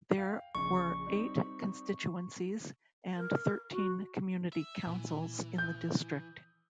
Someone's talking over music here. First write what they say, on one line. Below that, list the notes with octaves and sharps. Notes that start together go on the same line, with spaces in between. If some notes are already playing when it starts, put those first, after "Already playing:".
There were eight constituencies and thirteen community councils in the district.
F5 G5
A#1 C#3 C#6
G3 C4 D#4
A#4
F#4
E5
A#2 E3
G6